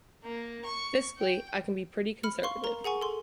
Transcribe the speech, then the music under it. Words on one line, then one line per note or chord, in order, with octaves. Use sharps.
Fiscally, I can be pretty conservative.
A#3
C#6
G5
B5 F6 C#7
F5 C6 C#6
A#4 A#5
G#4 F#5 G#5 C#6
A4 C6